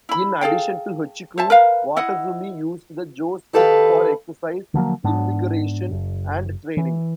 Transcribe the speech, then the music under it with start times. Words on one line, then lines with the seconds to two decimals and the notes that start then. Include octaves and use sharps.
In addition to hocchiku, Watazumi used the Jo stick for exercise, invigoration, and training.
0.09 E4 B5
0.41 G#4 A4 F5 G5
1.38 C5 E5 A5
1.50 A#4 B4 F5
1.96 E4 D#5 F#5
3.53 D#3 G4 A4 B4 D5 F5
4.74 D3 F3 F#3 A#3
5.04 G#2 B3 D4
5.91 F#1
6.77 E3